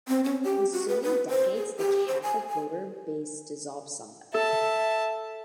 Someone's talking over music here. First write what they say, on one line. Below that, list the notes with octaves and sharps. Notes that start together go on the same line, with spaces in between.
In the ensuing decades, the Catholic voter base dissolved somewhat.
C4
C#4
G4
F#4
B4
B4
C5
G#4
G4
C5
G#5
G#5
A4 E5 A5